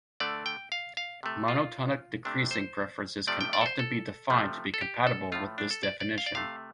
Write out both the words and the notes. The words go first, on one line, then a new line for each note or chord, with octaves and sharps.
Monotonic decreasing preferences can often be defined to be compatible with this definition.
D3 A3 D5
G5
F5
F5
C3 A3
F4
C3 A3 D4
C5
C3 F3 A3 D5
G5
D5
A4
C5
A4
C3 F3 A3
A4
G4
A4
A2 F3 A3 F4
D4
A4
D5
D5
F5
D5
C3 A3 F5